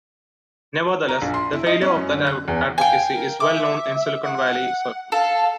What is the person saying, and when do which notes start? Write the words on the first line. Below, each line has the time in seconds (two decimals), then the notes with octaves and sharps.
Nevertheless, the failure of that advocacy is well known in Silicon Valley circles.
1.08 A#5
1.22 A#1
1.34 C6
1.53 E4
1.67 D#5
1.81 C#4
1.95 F#2
2.13 D3
2.27 F#6
2.48 E2
2.78 F5 G5 G#5
3.13 A#4
3.40 E5 D6
4.22 F#5
5.12 A4 F5